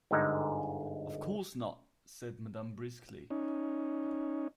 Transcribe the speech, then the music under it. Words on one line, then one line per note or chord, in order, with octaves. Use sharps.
"Of course not," said madame briskly.
G1 G#2 D3 G#3 D#4
C#4 D#4